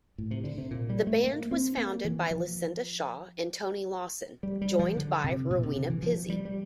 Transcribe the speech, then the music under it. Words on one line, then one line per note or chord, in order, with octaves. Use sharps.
The band was founded by Lucinda Shaw and Toni Lawson, joined by Rowena Pizzey.
A2
C3
D3
C3
A#2
G3
A3
A#3
C4
A#3
E3
F3
G3
G3
F3
D3
C3
A#2
C3
D3
E3
F3
G3
G3